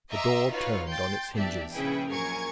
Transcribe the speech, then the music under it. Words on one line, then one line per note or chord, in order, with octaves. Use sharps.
The door turned on its hinges.
D#5 E5 A#5 C6 D6 E6
D#4 F4 F#4 B4 C#5 F5
G5 C6 G6 A6
E2 D4 G4 D5 E5
A#1 C#3 E4 G#4 B4 G5
A#1 F#2 A#4 G#5 C#6 G#6